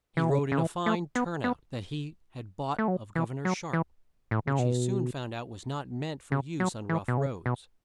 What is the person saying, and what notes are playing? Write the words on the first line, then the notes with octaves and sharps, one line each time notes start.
He rode in a fine turn-out that he had bought of Gov-er-nor Sharpe, which he soon found out was not meant for use on rough roads.
E3
C#3
C#3
E3
A3
B3
B3
A3
F#3
E3
F#3
E3
A2
C#3
B2
C#3
F#3
E3
B2
C#3
B2